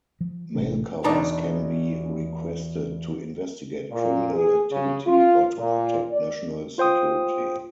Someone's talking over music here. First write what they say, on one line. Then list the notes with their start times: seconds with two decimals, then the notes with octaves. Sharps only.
Mail covers can be requested to investigate criminal activity or to protect national security.
0.21 F3
0.55 A1 C3 A3 D4
1.04 E2 B2 D4 D#4 A5 A#5
3.91 A#2
4.33 G#4
4.71 C#3
5.05 F4
5.58 A#2
6.10 D5
6.78 F4 C5 G5 D#6